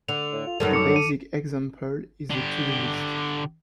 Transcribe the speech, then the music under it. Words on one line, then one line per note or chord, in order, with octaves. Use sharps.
A basic example is the to do list.
D3 F7
A2
F4
F#2 D#3 G3 A4
D6 C#7
D#7
D3 G4